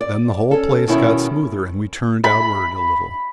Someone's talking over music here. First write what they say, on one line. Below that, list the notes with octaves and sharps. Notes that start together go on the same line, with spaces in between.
Then the whole place got smoother and we turned outward a little.
D5
C#4 A4
B2 D#3 C#4 E4
B5